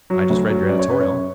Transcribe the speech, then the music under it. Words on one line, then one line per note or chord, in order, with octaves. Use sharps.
"I just read your editorial."
F#3
D2
F#3
F#2 D5
C#5
F#2 B4
C#5
F#2